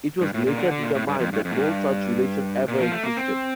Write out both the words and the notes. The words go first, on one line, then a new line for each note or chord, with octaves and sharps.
It was later determined that no such relation ever existed.
G2
A2
A#2
D3
D3
A#2
A2
G2
F2
G2
F2
A2
G2
A#2
F3
A3
A#3
C4